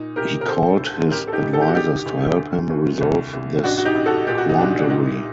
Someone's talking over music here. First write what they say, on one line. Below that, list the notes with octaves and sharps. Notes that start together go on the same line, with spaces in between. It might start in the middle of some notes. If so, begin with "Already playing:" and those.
He called his advisers to help him resolve this quandary.
Already playing: A#2 D#4
C2 G4 A#4
A#4
D3 A4 C5
D2
A1 G4 A#4
A4
D#4 G4
A1
A4
G4
F#4
D3 D#4 G4
D2
D3
D#2
C2
C2
A1 D4 F#4
F#4
D#4 G4
A1
F#4 A4
A#2 G4
F#4
D#4
C2 D4 F#4
D4
A#2 D#4